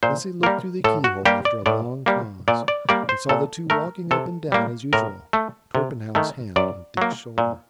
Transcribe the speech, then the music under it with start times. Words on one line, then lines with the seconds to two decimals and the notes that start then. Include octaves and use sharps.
Bessie looked through the keyhole after a long pause, and saw the two walking up and down as usual, Torpenhow's hand on Dick's shoulder.
0.03 A#2 C5
0.43 G3 A#3 A#4
0.84 A2 A4
1.04 F#4
1.25 G3 A#3 G4
1.45 D5
1.66 A2 D5
2.06 G3 A#3
2.48 A#2 D5
2.68 D5
2.89 G3 A#3 D5
3.09 C5
3.29 A#2 A4
3.70 A3 A#4
4.11 C3 A4
4.52 G3 A#3
4.93 A2 A#4
5.33 A3
5.75 C3
6.15 D#3 A3
6.56 F#2 D5
6.97 F#3 A#3
7.38 A#2